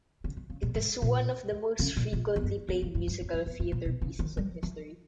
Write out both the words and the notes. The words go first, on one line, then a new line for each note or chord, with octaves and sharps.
It is one of the most frequently played musical theatre pieces in history.
C#3
D#3
C#3
A#2
G#2
A#2
C#3
A#2
A#2
E2
G2
E2
G2
G#2
G2
E2
G2
E2
G2
A#2
B2
C#3
D#3
G3
E3